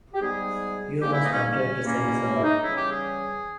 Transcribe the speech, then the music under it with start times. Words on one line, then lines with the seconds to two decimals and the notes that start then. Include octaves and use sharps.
You must contrive to send somebody.
0.14 G4
0.20 G#2 G3 B3 G#4
1.02 G#2 E3 G3 A#3 G4
1.12 E4
1.22 D#4
1.32 C#4
1.50 C#4
1.83 E2 B2 A#3 C#4
2.23 C#4
2.34 E4
2.43 D#4
2.63 C#3 E3 G3 C#4 E4
2.77 G4
2.90 G#4